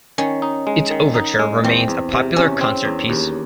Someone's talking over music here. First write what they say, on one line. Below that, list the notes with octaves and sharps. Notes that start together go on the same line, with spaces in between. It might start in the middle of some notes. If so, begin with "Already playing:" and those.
Its overture remains a popular concert piece.
D#3 C#4
D#4
G#3
D#3
D#4
G#3
E2 C4
E2
C3
E2 C#4
C4
E2
D#2